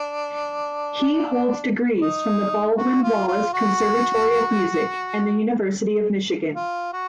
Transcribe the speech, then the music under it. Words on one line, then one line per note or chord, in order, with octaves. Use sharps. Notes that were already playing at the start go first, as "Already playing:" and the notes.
He holds degrees from the Baldwin-Wallace Conservatory of Music and the University of Michigan.
Already playing: D4
D#4
F#4
F4
F4
F#4
F4
F#4